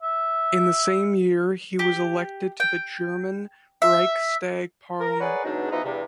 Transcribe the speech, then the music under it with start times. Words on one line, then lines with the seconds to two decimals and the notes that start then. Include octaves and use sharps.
In the same year, he was elected to the German Reichstag parliament.
0.02 E5
1.79 G4
2.60 G5
3.82 E5
5.00 A#4
5.20 G#4 A#4 B4 C#5 D5 F#5
5.44 E2 B2 F#3 G#3 D4 D#4
5.71 E3 F3 G#3 B3 D#4 F#4
5.85 E2 G2 C3